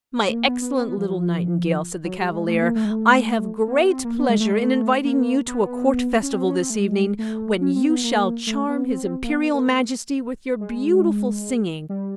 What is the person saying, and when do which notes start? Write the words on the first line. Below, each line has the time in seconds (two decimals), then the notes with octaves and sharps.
"My excellent little Nightingale," said the Cavalier, "I have great pleasure in inviting you to a court festival this evening, when you shall charm his Imperial Majesty with your beautiful singing."
0.28 A3
0.33 A#3
0.48 B3
0.62 B3
0.76 C4
0.87 B3
0.98 F3
1.08 F3
2.04 F#3
2.18 G3
2.33 G#3
2.48 A3
2.62 A#3
2.75 A3
2.85 G#3
2.90 A3
3.67 A#3
3.75 B3
3.90 C4
4.04 A#3
4.18 B3
4.29 G#3
4.40 A3
4.51 G#3
4.61 A3
5.05 A#3
5.47 B3
6.23 C#4
6.33 C4
6.47 C#4
6.61 C4
6.70 A3
6.75 G#3
7.19 A3
7.61 C#4
7.76 C4
7.89 B3
8.04 A#3
8.47 A3
8.69 B3
8.90 C4
9.04 C4
9.24 A#3
9.32 B3
9.54 A#3
10.61 G#3
11.89 G3